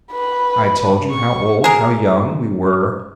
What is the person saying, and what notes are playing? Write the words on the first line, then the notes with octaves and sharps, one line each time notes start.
I told you how old--how young--we were....
B4 B5
C#6
G#4 A#4